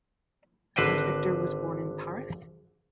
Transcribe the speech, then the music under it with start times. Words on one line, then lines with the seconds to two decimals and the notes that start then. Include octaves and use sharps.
Saint-Victor was born in Paris.
0.76 G#1 D3 B4 C5 D#5 G5